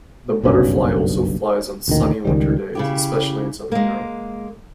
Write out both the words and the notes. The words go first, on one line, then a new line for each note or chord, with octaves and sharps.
The butterfly also flies on sunny winter days, especially in southern Europe.
F#1 B1 G2 C#4
A1 D2 A#2 D#3
C#2 D#3 G3
C#3 E4 G4
G#3 A#3